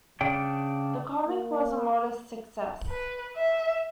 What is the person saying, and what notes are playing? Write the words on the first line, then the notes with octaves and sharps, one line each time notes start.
The comic was a modest success.
C#3 D4 G5
A#3
B4
E5